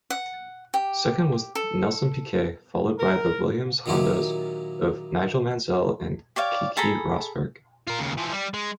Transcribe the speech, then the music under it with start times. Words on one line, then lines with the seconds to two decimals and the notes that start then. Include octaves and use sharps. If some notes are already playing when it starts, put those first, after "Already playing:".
Second was Nelson Piquet, followed by the Williams-Hondas of Nigel Mansell and Keke Rosberg.
0.10 F#5
0.74 G4
1.55 A4
2.98 A#4
3.86 A#2 D#3 F#3 E4 G4
6.36 G4 C#5 D5 F5
6.77 G#4 A4 A#5 B5
7.87 F4 A#4
7.99 D#2 C#3
8.17 E3 F3
8.31 G3
8.54 G#3